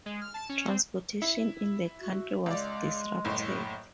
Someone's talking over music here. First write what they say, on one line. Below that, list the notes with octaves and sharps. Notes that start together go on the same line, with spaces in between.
Transportation in the country was disrupted.
G#3
F6
A5
C#4
C4
E4
F#4
C#2 G#3 D5
F#1 A2